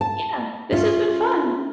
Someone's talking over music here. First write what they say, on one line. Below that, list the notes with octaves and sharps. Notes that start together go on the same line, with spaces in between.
Yeah, this has been fun.
A5
C#4 F4 E5